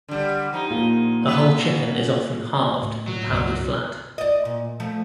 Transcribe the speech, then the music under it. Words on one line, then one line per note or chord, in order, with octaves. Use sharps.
A whole chicken is often halved and pounded flat.
D3 G3
F3 D#4
A#2 F4
F#2 B3 B4
A2
F#3
C#2 G2 A#2
D5 D#5
A#2
F3 A3